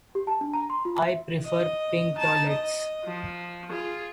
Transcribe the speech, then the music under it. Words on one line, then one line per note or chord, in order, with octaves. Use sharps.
I prefer pink toilets.
G4
A5
D4
A#5
C6
F4
E5
D#5
D#4 A5
D#5
F3
F4 G#4